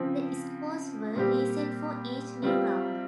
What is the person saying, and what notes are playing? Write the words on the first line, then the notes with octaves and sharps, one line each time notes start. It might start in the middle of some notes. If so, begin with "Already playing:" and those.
The scores were reset for each new round.
Already playing: C#3 F3 C4
A#2 G3 C4 G4
C3 G3 C4 F4